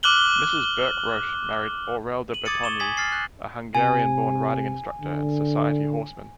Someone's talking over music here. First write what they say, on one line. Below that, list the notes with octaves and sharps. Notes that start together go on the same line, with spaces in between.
Mrs. Burke Roche married Aurel de Batonyi, a Hungarian-born riding instructor and society horseman.
D6 F6 F#6 F#7 G7
D#7 F#7
D6 D#6 G#6 A6 C#7 D#7
C#6 E7 G7
G#5 D#6 G#6 B6 F#7
F6 A6 C7
F#6
C3 G#5
D3